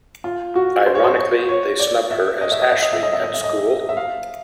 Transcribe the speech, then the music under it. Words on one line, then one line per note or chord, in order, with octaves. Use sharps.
Ironically they snub her, as Ashley, at school.
F4
F#4
C5
C#5
C5
C#5
C#5
D5
E5
D#5
E5
D#5
E5
D#5
E5
D#5
E5
D#5
E5
D#5
E5
F5